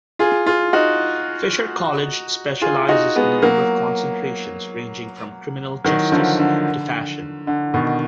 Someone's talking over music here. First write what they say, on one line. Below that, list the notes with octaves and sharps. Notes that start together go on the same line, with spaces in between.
Fisher College specializes in a number of concentrations ranging from Criminal justice to Fashion.
F4 G#4
F4 G#4
D#4 F#4
F4 G#4
D#4 F#4
G#3 B3
F#3 A#3
D#3 F#3
D3 F3
D3
D3
B2 D#3